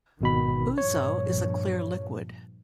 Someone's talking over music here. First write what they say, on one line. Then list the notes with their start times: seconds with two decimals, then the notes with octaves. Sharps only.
Ouzo is a clear liquid.
0.21 G#1 B2 D#3 B5
0.78 G2 A#2 F3 C#5